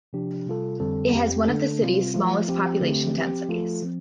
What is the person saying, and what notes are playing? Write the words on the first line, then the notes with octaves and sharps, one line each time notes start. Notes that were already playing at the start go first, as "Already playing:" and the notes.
It has one of the city's smallest population densities.
C3 F3 D4 G4
C3 G3 F4 A4
F2 D3 G3 C4 A4
F2 F3 C4 G4
D3 A3 D4 A4
C3 G3 C4 F4
F3 A3 F4
F3 C4 G4
D3 A3 C4 G4
F3 C4 G4
F3 A3 F4 A4
F3 C4